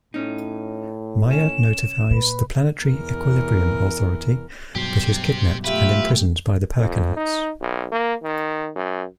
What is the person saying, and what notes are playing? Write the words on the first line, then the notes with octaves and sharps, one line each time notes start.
Maia notifies the "Planetary Equilibrium Authority", but is kidnapped and imprisoned by the Perkinites.
A2 C#4 D#4
C#4 E7
A#2 B4
E2 A#4
G2 B2 F#3 G4 C5
A3 F4 G4 B4 E5
F2
D#4
B1
A#3
D#3
F#2